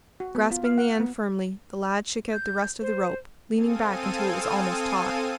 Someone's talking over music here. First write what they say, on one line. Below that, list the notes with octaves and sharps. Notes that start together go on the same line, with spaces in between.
Grasping the end firmly, the lad shook out the rest of the rope, leaning back until it was almost taut.
F#4
B3
F4
F5
F#5
B3
G6
C5
C4 A4 F5 G#5 D#6 D#7